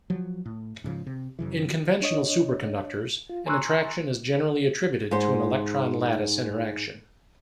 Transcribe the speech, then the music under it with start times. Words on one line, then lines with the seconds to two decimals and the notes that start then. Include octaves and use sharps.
In conventional superconductors, an attraction is generally attributed to an electron-lattice interaction.
0.10 F3 F#3
0.45 A2
0.84 G#2 C#3 F3
1.07 C3
1.39 F#2 C#3 E3
2.02 D4 C#5 D#5
3.30 F4
3.46 G#5 A#5 C6 C#6 E6 F#6
5.11 G#2 C5